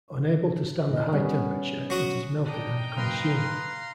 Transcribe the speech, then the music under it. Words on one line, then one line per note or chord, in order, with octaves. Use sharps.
Unable to stand the high temperature it is melted and consumed.
A#2 E4 D#5
G3 B3 C#4
F#3 F#4 D#6
D4 D#4 G5
C#3 F#3 A#3 B4 F5 A#5 C6